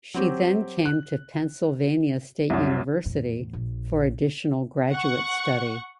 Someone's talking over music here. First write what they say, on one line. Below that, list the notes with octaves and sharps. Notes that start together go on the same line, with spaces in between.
She then came to Pennsylvania State University for additional graduate study.
F#3 C4 G4
F#6
C2 F#2
E2 A2
A#1
F#5 C#6